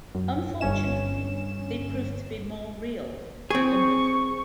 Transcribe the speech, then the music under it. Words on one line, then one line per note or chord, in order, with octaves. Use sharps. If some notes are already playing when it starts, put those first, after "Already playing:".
Unfortunately, they prove to be more real than wonderful.
F#2
G1 G2 C#4 E7
C4 G#4 C#6